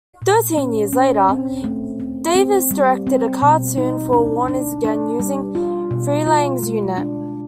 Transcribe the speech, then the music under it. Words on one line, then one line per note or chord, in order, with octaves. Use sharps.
Thirteen years later, Davis directed a cartoon for Warners again, using Freleng's unit.
A#2
C#4
C#4
C4
A3
C4
C4
G3
C4
B2
D#4
D4
D4
D4
G3
F4
B2
F4
G#3
D4